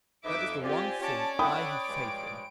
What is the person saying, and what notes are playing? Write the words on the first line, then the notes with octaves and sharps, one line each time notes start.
That is the one thing I have faith in!
F2 D#4 B4 E5 D6
C4 F4 G4 D5 G#5
C#4 C#5 D5 A5
A4 E5 F#5 G5 B5 D#6 D7
G2 F3 G#3